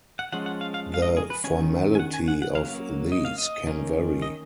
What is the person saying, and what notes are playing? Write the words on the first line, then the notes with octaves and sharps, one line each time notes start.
The formality of these can vary.
F#5
F3 G#3 C#4 F#5
F#5
F5
F5
F5
D#5
G#4
B4
D#3 A#3 C#4 G#5
G#5
F#5
G#5
F#5
F#5
F#3 A#3 C#4 F5
D#5
F5
D#5
D#3 A#3 C#4
D#5